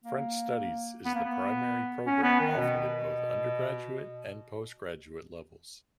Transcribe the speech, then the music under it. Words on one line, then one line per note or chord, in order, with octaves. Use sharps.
French Studies is the primary programme offered at both undergraduate and postgraduate levels.
A#3
B3
A#3
B3
C#4
B3
D#3
B2